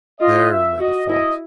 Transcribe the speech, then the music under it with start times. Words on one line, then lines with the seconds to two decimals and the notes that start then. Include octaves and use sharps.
There lay the fault.
0.20 F4 D#5
0.51 E5
0.79 F#4 D#5
1.09 E4 D#5